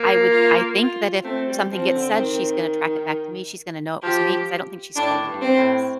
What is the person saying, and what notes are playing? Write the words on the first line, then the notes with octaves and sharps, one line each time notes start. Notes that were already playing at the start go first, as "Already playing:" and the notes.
I would I think that if something gets said, she's gonna track it back to me, she's gonna know it was me 'cause I don't think she's told anyone else.
Already playing: A#3
F4
F4
A3 C4
G3
F3 C4
D3
D#3
F3 G4
A2 D4
G2
C4
A2